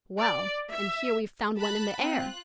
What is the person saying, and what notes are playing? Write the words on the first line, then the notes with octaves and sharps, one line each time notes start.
"Well; and here we've found one in the air!"
D5
E5
A5 B5 F#6
C4 F4 F#6